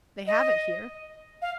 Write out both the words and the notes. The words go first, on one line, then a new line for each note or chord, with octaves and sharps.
They have it here.
D#5
F5